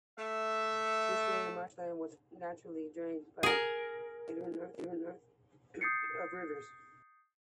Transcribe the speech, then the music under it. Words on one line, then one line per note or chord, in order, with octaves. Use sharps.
This area of marshland was naturally drained by a labyrinth of rivers.
A3 E5
G#4 A#4
D#6 G6 A6 C7 C#7